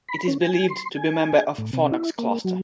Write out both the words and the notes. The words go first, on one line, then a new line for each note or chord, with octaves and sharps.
It is believed to be member of Fornax Cluster.
B5
C#4
G#5
C6
G#5
A2
C3
E4
A#3
F#3